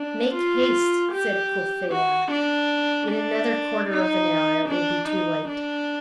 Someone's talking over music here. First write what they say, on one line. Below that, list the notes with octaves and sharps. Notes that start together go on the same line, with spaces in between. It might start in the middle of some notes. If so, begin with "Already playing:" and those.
"Make haste," said Courfeyrac, "in another quarter of an hour it will be too late."
Already playing: D4
F4
G4
F#4
D4
D4
D#4
D4
D#4
D4